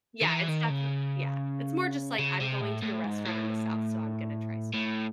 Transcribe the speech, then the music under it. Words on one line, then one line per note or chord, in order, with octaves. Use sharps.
Yeah, it's definite yeah. It's more just like I'm going to a restaurant in the South, so I'm gonna try some
D#3
E3
D#3
C#3
C#3
C3
A2
A2
G#2
A2
A2